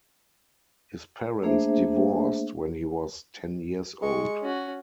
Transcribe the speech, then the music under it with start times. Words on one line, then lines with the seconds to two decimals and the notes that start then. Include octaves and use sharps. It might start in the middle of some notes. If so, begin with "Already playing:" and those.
His parents divorced when he was ten years old.
1.42 A3 A#3 D4 G#4 C5 E5
4.02 G#3 C#6
4.41 C#4 F#4